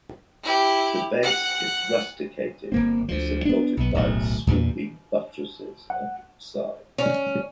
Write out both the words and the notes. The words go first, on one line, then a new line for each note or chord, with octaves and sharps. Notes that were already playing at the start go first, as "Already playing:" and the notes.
The base is rusticated and is supported by "swooping buttresses" on each side.
E4 G4
F#5
G1 A#3 C4
D2 F3
B3 D4
B1 B3
D1 B1 A3
E2 G2 A#2
F#5
C#4